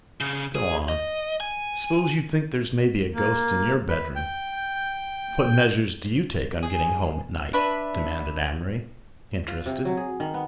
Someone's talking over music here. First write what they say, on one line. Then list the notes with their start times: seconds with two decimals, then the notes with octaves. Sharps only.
"Go on, s'pose you think there's maybe a ghost in your bedroom--what measures do you take on getting home at night?" demanded Amory, interested.
0.21 C#3
0.55 G#4
0.89 D#5
1.40 G#5
3.15 A#3
3.88 B4
4.16 G5
6.63 G#4
7.53 D4 B4 E5 B5
9.48 F4
9.66 C3
9.85 F#3
9.97 G#4
10.20 D#3
10.34 B3